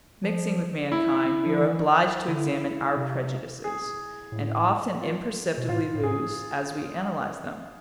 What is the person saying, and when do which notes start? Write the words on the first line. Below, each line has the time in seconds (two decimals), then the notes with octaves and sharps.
Mixing with mankind, we are obliged to examine our prejudices, and often imperceptibly lose, as we analyse them.
0.24 F3
0.92 E4
1.46 F3
1.60 E3
2.28 D3 E4
2.96 C3
3.64 G#4
4.32 A2
5.01 F4
5.57 B2
5.69 A2 F4
5.94 A2
6.03 G#2 G#4